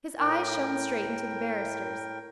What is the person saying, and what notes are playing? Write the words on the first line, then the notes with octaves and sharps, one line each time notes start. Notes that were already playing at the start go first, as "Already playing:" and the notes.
His eyes shone straight into the barrister's.
A2 A#4 G5